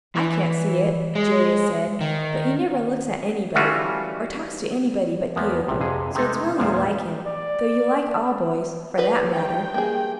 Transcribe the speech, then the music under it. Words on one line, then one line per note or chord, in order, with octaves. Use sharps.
"I can't see it," Julia said, "but he never looks at anybody, or talks to anybody but you, so it's well you like him; though you like all boys, for that matter!"
E3
G#3
D#3
E3 G3 A3 C#4 F4 F#4
E2 F3 A#3 B3
A#1 C3
F2 C3 G#4
C3 G#3 A3 D#4 A4
E2 A#2 F3 G3 G#3 C5
D5
D#4 F#4 B4
G2 G5
A#3 G#4